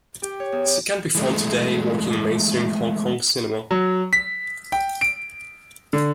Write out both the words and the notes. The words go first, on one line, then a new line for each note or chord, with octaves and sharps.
She can be found today working in mainstream Hong Kong cinema.
G4
C#5
E2
G4
E3 G#3 A3
F#3
B6
G5
D7
D3